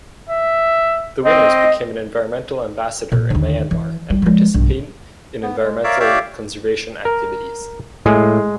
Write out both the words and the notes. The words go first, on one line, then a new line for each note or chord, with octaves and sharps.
The winners become an Environmental Ambassador in Myanmar and participate in environmental conservation activities.
E5
C4 D#5
A#2
D#2 D3
E3
G3
F3 G#3
B1 G2
B3
G#3
A#4 C#5 D5 E5 F5
G4 C#5 D5 E5 F5
A#4
A2 G#3